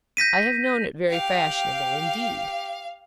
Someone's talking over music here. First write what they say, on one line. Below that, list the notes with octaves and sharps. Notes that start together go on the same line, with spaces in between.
I have known it very fashionable indeed.
G6 A#6 B6 D#7
G4 F5 G5